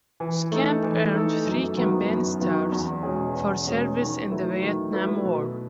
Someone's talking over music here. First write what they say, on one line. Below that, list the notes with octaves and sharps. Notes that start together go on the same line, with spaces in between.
"Scamp" earned three campaign stars for service in the Vietnam War.
E3
A3 D#4 A4
E3
A3 D#4 A4
F#2
D#3 F#3 B3 E4
F#2
D#3 F#3 B3 E4
E2
B2 G#3 C#4 G#4
E2
B2 G#3 C#4 G#4
D#3
F#3 A3 E4 B4
D#3
F#3 A3 E4 B4
B2